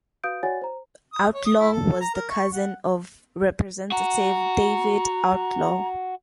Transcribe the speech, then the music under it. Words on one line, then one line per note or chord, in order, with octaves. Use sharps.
Outlaw was the cousin of Representative David Outlaw.
F#4 B4 F5 D#6 G6 D7
F#4 C#5 D5 F#5 G#5 A6
C5 A#5
D#6
C#5
D#6
E4
A4
A#5
A#4
C#6
F#5
F#4 A#5